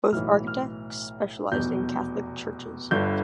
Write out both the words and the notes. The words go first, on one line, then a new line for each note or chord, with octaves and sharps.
Both architects specialized in Catholic churches.
B1 A2 E3 F6
F6
F1 E2 B2 G6
G1 G2 D3 G6